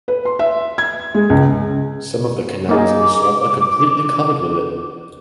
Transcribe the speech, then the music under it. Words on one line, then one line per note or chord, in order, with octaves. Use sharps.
Some of the canals in the swamp are completely covered with it.
B4
C6
E5
G#6
G#3
C#2
A#3 D#4 G#4 D6